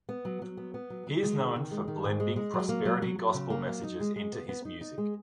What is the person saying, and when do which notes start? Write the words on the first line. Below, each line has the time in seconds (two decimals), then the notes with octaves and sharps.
He is known for blending prosperity gospel messages into his music.
0.09 B3
0.25 F#3
0.42 F#3
0.57 B3
0.74 B3
0.90 F#3
1.07 F#3
1.23 G#3
1.39 D#3
1.56 D#3
1.71 G#3
1.88 D#3
2.04 G#2
2.20 G#3
2.36 G#3
2.54 F#3
2.69 A#3
2.85 F#3
3.02 F#3
3.19 F#3
3.34 C#3
3.50 A#3
3.67 F#3
3.83 D#4
4.00 G#3
4.16 G#3
4.33 B3
4.49 B3
4.65 D#4
4.81 D#4
4.98 G#3